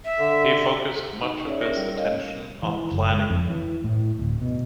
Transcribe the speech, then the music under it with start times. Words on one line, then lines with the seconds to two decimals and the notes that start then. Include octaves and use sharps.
He focused much of his attention on planning.
0.05 E5
0.19 D3
1.22 D#4
1.45 C#4 G#4 C#5 D5 E5
1.61 C#4 A#4 A#6
1.77 G3
1.94 A#4 C#5 D#5 F5
2.63 E3
2.92 F#1
3.12 G#3
3.30 F2
3.50 E3
3.84 A2
4.19 D1
4.42 B2